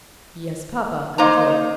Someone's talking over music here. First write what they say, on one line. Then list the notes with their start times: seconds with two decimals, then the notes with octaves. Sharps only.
"Yes, papa, I did."
1.18 A#3 D#4 C5 A#5